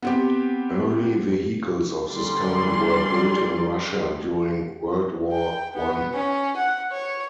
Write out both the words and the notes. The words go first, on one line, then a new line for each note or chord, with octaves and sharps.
Early vehicles of this kind were built in Russia during World War One.
B3 C4 G4
D3 G3 C#4 D5 C6
G5
B3
C#4
F#5
C#5